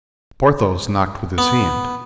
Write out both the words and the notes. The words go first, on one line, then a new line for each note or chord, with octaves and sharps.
Porthos knocked with his hand.
B3